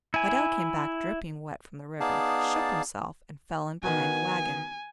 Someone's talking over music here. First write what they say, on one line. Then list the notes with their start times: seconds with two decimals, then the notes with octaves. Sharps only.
Fidel came back dripping wet from the river, shook himself, and fell in behind the wagon.
0.14 E4 G#5
2.00 B3 D#4 G#4 D5 F5 A5
3.83 D#3 B3 F#4 G#5